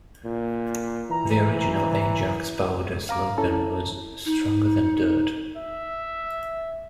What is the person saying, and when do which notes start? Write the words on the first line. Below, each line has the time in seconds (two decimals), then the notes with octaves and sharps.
The original Ajax powder slogan was Stronger than dirt!
0.25 A#2
1.11 E3 A#5
3.09 F5 A#5 D6
3.38 C#4 E4 A4 A5 A#5
4.25 D#4
5.57 E5